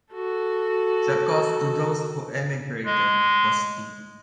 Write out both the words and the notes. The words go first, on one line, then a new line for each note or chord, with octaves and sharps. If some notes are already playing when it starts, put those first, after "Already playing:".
The cost to those who emigrated was steep.
F#4 A4
G#3